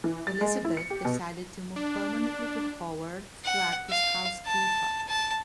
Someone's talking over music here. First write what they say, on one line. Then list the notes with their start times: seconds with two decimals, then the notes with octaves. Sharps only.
Elizabeth decided to move permanently to Haworth to act as housekeeper.
0.04 E3
0.27 A6
0.41 G#3
0.65 E4
0.77 C#7
0.90 G4
1.05 B2
1.76 D4
3.45 F#5
3.90 F5
4.46 A5
5.08 A5